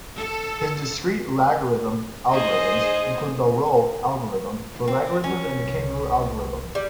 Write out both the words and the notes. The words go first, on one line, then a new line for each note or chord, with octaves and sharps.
His discrete logarithm algorithms include the rho algorithm for logarithms and the kangaroo algorithm.
A4
D#4 G#4 C5 D#5
C4
C#4
C2
G3